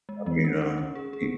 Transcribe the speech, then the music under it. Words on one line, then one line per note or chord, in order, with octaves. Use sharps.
I mean, um, y
G#3
G#3
C#4
C#4
C#4
G#4
G#4